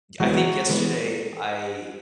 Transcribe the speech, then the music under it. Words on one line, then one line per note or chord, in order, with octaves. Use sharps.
I think yesterday, I
E3 F#3 G#3 B3 F#4
E3 G#3 B3